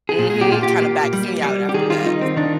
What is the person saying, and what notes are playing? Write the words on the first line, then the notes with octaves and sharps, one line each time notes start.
Mhm. Kinda backs me out after that,
G#4
A#2
G#4
G4
A#2 F4
G4
A#3
G3
G3
G4
D#3 G#4
F4
D#3 D#4
C4
D#3 D4